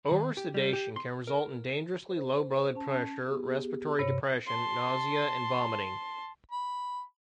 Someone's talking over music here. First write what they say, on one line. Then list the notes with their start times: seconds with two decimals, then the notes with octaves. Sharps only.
Oversedation can result in dangerously low blood pressure, respiratory depression, nausea, and vomiting.
0.11 D#3
0.37 G4
0.54 G3
0.73 G4
0.96 C6
1.27 A#4
2.09 C5
2.75 C#4 A5
3.27 B3 G4 G#4
3.99 G2 C3 C#5
4.47 A5 C6
6.52 B5